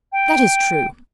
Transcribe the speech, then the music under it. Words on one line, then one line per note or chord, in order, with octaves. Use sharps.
'That is true.
G5